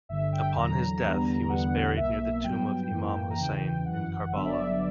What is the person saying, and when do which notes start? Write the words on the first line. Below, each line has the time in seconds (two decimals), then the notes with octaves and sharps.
Upon his death he was buried near the tomb of Imam Husayn in Karbala.
0.09 G1 G2 D3 E5
0.32 G5
0.56 E2 D3 F#3 A#5
1.03 E2 D3 G3 B3
1.50 E2 D3 G3 B3 F#5
1.97 B1 B2 A#3 E5
2.44 G2 F#3 B3 G5
2.91 F#2 E3 A#3
3.30 A#5
3.39 E2 C#3 E3 G5
3.85 G1 F#2 E3 F#5
4.32 G1 G2 D3 F#3 B3 E5
4.43 D5
4.55 E5